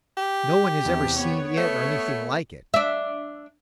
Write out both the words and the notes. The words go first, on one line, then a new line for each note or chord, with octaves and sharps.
No one has ever seen it or anything like it.
G4
E2 C3
B3 C#5
A3
D4 E5